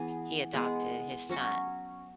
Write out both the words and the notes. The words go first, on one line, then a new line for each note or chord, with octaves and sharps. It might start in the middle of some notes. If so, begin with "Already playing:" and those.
he adopted his son,
Already playing: E3 B3 G#4
G#3 B3 G#4
F#3 C#4 F#4